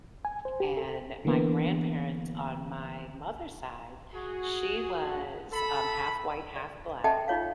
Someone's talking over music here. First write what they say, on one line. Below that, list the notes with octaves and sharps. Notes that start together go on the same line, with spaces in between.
and my grandparents on my mother's side, she was, um, half-white, half-black,
G#5
C5
G4
A4
D3 E3 A#3 B3
F#4 G#4
A4 B5
D5
A4 D#5 E5 F#5 G5 A5
D#4 F4 C#5 F5